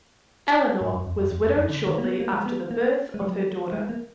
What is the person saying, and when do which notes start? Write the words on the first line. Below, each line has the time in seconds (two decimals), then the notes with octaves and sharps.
Eleonore was widowed shortly after the birth of her daughter.
0.81 G#2
0.94 F#2
1.07 F2
1.19 F#2
1.31 F2
1.44 F2
1.57 F#2
1.69 D3
1.87 D#3
1.98 A#3
2.04 B3
2.20 A#3
2.33 G#3
2.46 B3
2.71 A#3
3.14 G#3
3.22 F#3
3.73 G#3
3.89 A#3